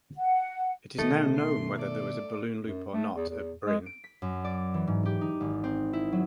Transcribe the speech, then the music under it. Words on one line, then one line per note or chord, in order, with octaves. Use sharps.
It is now known whether there was a balloon loop or not at Bryn.
F#5
B2 D#3 A3 D#5
C6
A4 D5
F#2
A3
E2
E2
G#3
D7
B6
F#2
D5
E3
G#2
G4
D#4
G#1
C4
E4
F#3